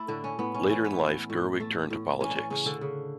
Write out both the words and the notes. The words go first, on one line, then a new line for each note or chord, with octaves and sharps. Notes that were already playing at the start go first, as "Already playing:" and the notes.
Later in life, Gerwig turned to politics.
Already playing: A3 E4
A2 D3 D4
C#4
A2 B3
C#4
E3 C#4
B3
A3
A2
A3
A2
E3 C#4
D4
C#4
C#3 C#4
D3 D4
C#3